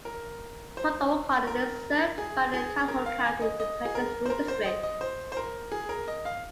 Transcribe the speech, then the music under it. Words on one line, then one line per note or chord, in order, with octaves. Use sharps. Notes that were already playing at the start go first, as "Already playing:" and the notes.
Port O'Connor is served by the Calhoun County Independent School District.
A#4
C5
A#4
G#4
G#4
A#4
F5
G#5
D#5
D#5
G#4
A#4
C5
A#4
C5
D#5
D#5
C5
C5
A#4
G#4
A#4
D#5
F5